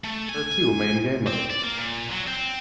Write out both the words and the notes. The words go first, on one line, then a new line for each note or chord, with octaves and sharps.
There are two main game modes.
A3
G#5
C4
D5
A#3
A#2
F#3
C4